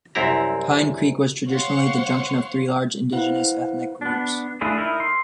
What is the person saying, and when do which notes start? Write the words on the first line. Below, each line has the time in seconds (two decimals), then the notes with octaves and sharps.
Pine Creek was traditionally the junction of three large indigenous ethnic groups.
0.15 C2 F#2 C4 E4 A#5
1.47 C5 C#5 F5 F#5 C6 C#6
3.12 E4 B4 C5 F5 F#5
4.01 B3 D4
4.61 A3 D4 E4 F4 G#4
4.77 D#4 E4 A#4
5.00 C6